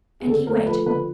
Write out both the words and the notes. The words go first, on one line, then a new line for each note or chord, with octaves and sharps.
And he waited.
G#4
D3 A4
A3 A#4
F3 B4
D3 B4